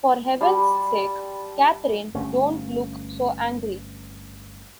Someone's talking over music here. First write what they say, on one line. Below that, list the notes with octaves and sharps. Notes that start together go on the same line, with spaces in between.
For heaven’s sake, Catherine, don’t look so angry!
G3 D5 A5 C6
G1 A3 C#4